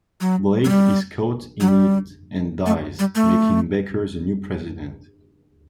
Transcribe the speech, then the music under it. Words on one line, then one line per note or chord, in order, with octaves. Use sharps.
Blake is caught in it and dies, making Becker the new President.
F#3
F#3
G3
F#3
G3
A3
G3
A3